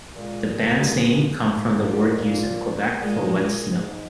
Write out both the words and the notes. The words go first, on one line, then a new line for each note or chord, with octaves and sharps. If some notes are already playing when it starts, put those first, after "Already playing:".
The band's name comes from the word used in Quebec for wet snow.
A#2 G#3
A#2 G3
G#2
A#2
A#2 G#3
G#3
G#2